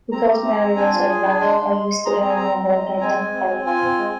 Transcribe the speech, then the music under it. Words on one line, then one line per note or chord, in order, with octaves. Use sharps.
Because my eyebrows are black, I used to dye my whole head that color.
C4 A#5
G4
C4
C4
D4 G#5
F4
G#4
D4
G#3 C6
D4
G#3
G#3
G#4 A#5
C6
C4 A#5
G#5
C4 A#5
C4
G#3
C4
G#3 G#5
G#3
C4
C4
F4 G#5
C4
G#3